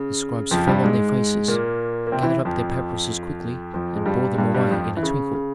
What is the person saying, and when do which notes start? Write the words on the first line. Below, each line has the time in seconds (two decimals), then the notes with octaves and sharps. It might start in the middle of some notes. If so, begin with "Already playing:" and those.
The scribes fell on their faces, gathered up their papyruses quickly, and bore them away in a twinkle.
Already playing: C#3
0.51 F2 F3
0.67 G2 G3
0.83 G#2 G#3
1.48 A#2 A#3
2.07 A#3
2.12 C3 C4
2.23 E3 E4
2.45 F2 F3
3.74 F2 F3
3.95 G#3
4.06 G2 G3
4.34 G#3
4.38 G2 G3
4.55 G2 G3
4.71 F2 F3
4.97 E3
5.03 C#3
5.35 C#3